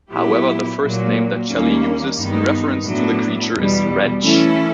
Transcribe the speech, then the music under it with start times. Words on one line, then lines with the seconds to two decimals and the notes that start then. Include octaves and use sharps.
However, the first name that Shelley uses in reference to the creature is "wretch".
0.10 A#2 F#3 B3 E4 G4
0.79 A#2 F#3 A#3
1.47 D#2 D#3 G3 A#3 C#4
2.15 G2 D#3 G#3 B3 D#4
2.84 A2 F#3 B3 D4
3.54 E2 B2 G3
4.22 E3 A3 C#4 E4 A4